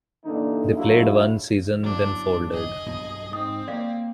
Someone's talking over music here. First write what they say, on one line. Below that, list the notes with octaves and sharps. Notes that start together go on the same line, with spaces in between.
They played one season then folded.
G2 A#2 D3 E3 A3 D#4
D3 F#3 G#3 A3 E4 F4
G1 A2 F#3 D4
G#4 D#5
B1 G2 B2
G#2 C4 D#6
G3 A#3 D5 F5